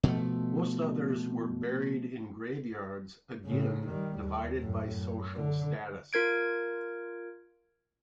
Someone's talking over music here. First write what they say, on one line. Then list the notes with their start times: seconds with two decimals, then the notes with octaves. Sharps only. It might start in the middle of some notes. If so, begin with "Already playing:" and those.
Most others were buried in graveyards again divided by social status.
0.03 B2 F3 A3
3.45 A2 C#3
3.88 D#3 G3
4.20 D#2
4.59 F#2 A2
4.91 F#2
5.35 D3
6.13 F4 A#4 G#6 D7